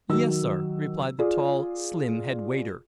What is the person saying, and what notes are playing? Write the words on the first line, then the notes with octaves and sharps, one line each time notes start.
"Yes, sir," replied the tall, slim head-waiter.
D#3 F#3 F#4 E6
F4 G#4 D5